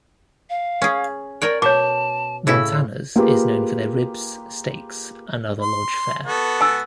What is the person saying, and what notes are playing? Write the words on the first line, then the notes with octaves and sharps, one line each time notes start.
Montana's is known for their ribs, steaks and other lodge fare.
F5
C#4 G#4
A#4 C#5 D5 G5
B2 C#5 A5 D6
A2 C#3 E4 E6
A#3 F4 G4 G#4 B4
C6
B3 F#4 A4
G#5 E6